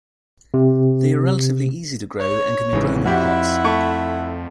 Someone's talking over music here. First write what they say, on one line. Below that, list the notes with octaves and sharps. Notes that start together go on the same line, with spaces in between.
They are relatively easy to grow, and can be grown in pots.
C3
C#5
A1 G#2 C#3 E3
F2 E4 F#4 G4 E5 F#5
A3 C#6